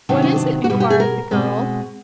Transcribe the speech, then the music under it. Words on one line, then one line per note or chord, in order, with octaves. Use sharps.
"What is it?" enquired the girl.
C3 D#3 F#3 B3 D4
C#4
D4
F#4
B2 G3 B3 G4
G4
G#4
A#4
B2 G#3 C4